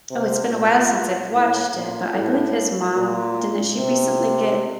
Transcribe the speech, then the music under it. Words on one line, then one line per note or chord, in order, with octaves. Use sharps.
oh, it's been a while since I've watched it, but I believe his mom didn't she recently get
C3
A#2
A2
A#2
A2
A#2
C3